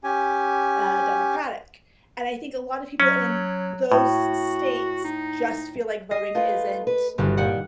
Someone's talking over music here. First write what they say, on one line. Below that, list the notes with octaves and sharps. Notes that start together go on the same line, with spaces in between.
uh, Democratic, and I think a lot of people in those states just feel like voting isn't
C#4 G4 G#5
F#3 C#4
A2 F#4
D#4
D#5 C7
A3 F4 B4
B4
G1 C#3 E3 F#3
A#2 D#3 G3 F#5